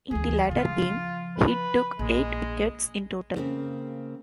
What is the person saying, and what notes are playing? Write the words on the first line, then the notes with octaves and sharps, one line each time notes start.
In the latter game, he took eight wickets in total.
D2 E3 G#4
C#3 F3 F4
B4
A#1 G#3
C#3 A#3 C4